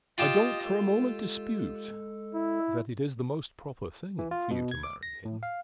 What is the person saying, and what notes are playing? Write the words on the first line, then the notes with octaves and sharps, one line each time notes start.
I don't for a moment dispute that it is the most proper thing for you to marry him.
F4 G4 D#5 A5 D#6
G#3 A4
E4
E3
F4
B2
G#6
D6
A#6
A2
F5